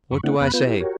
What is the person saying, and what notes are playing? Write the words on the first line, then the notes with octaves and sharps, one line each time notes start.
What do I say?
F#2 B5 C#6
C#3 A3 C4 D4 E4 F#5
F2 B3 B5 F#6
B3 F4 B4 G6
E4 G4
F#4 G4 A#4 C#5